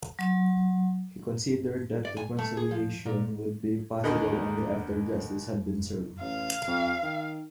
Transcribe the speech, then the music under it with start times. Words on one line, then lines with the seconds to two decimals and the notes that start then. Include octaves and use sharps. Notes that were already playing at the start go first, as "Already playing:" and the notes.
He considered that reconciliation would be possible only after justice had been served.
0.19 F#3
2.05 D5
2.17 G#5
2.39 A3
2.57 G#4
2.71 F3
3.06 A#2
4.04 D#2 D3 D#4 A#4 D#5 B5
6.21 A1 F5
6.67 F2
7.03 D#3